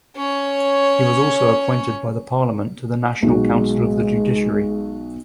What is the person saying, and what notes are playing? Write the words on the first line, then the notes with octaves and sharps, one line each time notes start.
He was also appointed by the parliament to the National Council of the Judiciary.
C#4 C#5
B1 G#3 F#4